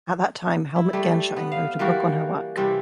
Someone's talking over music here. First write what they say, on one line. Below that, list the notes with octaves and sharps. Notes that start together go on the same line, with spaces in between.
At that time Helmut Gernsheim wrote a book on her work.
E4
G3 A3
B3
F5
E3 G3 A#3 F#4
C3 E3 G3 C#4